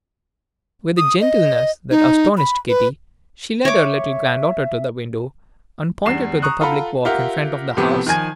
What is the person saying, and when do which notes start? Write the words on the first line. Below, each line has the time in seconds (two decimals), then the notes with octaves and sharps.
With a gentleness that astonished Kitty, she led her little granddaughter to the window, and pointed to the public walk in front of the house.
0.97 D#6
1.21 D#5
1.91 D#4
2.38 B5
2.68 B4
3.65 C#5 E5 D6
6.05 E2 G2 C7 E7
6.42 A#5 C#6 D#6 F#6
6.61 F4 A4 F#5 A#5 B5
7.05 F4 G4 A#4 E5 F#5
7.77 A2 C3 F3 B3 G4
8.07 D#3 F3 G#5 G#6